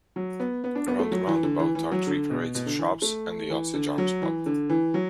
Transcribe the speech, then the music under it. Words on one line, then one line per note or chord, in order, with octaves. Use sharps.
Around the roundabout are three parades of shops and the Osidge Arms pub.
F#3
B3
B3
D4
B3
A3
F#3
E3
D3
E3
E3
F#3
D3
B2
B2
D3
E3
A3
E3
D3
F#3
E3
D3
E3
F#3